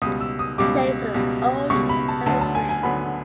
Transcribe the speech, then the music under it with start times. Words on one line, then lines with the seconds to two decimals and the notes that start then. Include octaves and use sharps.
There is an old cemetery.
0.02 C#2 B2 G3 D#6
0.21 E6
0.39 D#6
0.58 C#2 B2 G3 D6
1.14 C#2 B2 G3
1.70 C#2 B2 G3 C#6
1.89 B5
2.08 A5
2.26 D2 D3 F#3 B3 A5
2.41 A5
2.55 G#5
2.69 G#5
2.83 D2 D3 F#3 B3 B5